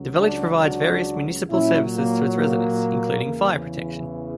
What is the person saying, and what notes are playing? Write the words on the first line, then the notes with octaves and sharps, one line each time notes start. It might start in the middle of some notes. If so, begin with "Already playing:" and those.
The village provides various municipal services to its residents including fire protection.
Already playing: C#2 C#3 F#3
D4 F#4
D4 F#4
A#2 F#3 C#4 E4
A#3
A#3
E2 C#3 E3